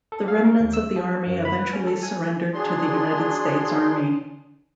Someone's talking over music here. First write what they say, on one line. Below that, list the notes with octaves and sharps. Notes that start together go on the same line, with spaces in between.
The remnants of the army eventually surrendered to the United States Army.
A4
F5
A#4
D#2
E6
F3
F#2
B5
B4
C#4
A4
G#5
F#3 D4 G#4 C6